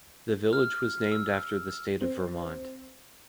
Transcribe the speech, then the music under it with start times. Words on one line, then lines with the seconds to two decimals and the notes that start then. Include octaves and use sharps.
The village was named after the state of Vermont.
0.53 F6
1.12 E6
2.01 C4